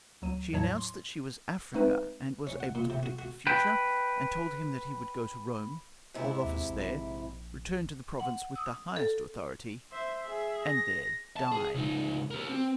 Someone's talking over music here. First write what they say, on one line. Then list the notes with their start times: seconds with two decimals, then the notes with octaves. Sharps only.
She announced that she was Africa, and was able to predict the future, and told him that he would go to Rome, hold office there, return to the province with the highest authority, and there die.
0.22 D2 F#3 D#7
0.53 E2 A2 F#3 C#5 A5
0.78 C6
1.74 G#3 A3 C4 D#4 B4
2.47 C#4
2.60 F#5
2.75 A#2
2.90 C3
3.03 F#4
3.19 F#4
3.47 B4 G5
6.14 G#2 C3 E4
6.44 D#2
6.70 A#1
8.20 F#5
8.56 D#6 E6
8.96 A4
9.92 C5 E5
10.24 G#4 E5
10.65 A#6
11.36 A5
11.52 G#4
11.74 C#2 D#4
12.31 G4 A#4
12.49 C4